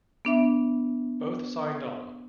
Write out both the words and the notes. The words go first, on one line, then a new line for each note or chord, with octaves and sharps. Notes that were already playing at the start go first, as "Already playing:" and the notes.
Both signed on.
B3 D4 E5